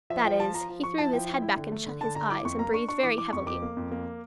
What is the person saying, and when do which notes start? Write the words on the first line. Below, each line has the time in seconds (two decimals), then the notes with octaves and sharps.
That is, he threw his head back and shut his eyes, and breathed very heavily.
0.10 F3 E5
0.25 F3 G5
0.40 F3 A5
0.54 F3 A#5
0.69 F3
0.84 F3 C#6
0.98 E4 A5
1.13 F3 G5
1.27 E4
1.42 E4
1.57 D3
1.72 A3
1.86 D3
2.01 D3 A5
2.15 D3 A#5
2.30 E4 D6
2.44 F2 C#6
2.59 A#3 A#5
2.74 D4 C#6
2.89 D4 C#6
3.03 E3 D6
3.18 E3 D6
3.33 F2 C#6
3.47 F2 D6
3.62 A#3
3.77 F2
3.91 A#3